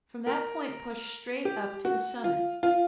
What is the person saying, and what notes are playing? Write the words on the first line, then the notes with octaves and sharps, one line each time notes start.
From that point push straight up to the summit.
A#4
G4
F#4
F4
F4